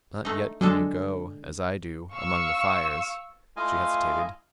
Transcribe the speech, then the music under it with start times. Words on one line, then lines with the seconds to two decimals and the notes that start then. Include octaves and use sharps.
"Not yet can you go as I do--among the fires." She hesitated.
0.25 A3 D#4
0.61 D3 F#3 G#3 A4
2.14 F5 C#6 E6
3.57 A3 E4 F4 D#5 F5 G#5